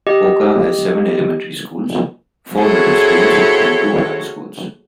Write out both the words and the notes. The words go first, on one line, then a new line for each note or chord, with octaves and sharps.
Oga has seven elementary schools, four middle schools and two high schools.
G4 D#5
C4 E4 F#4 G#4 A4 C#5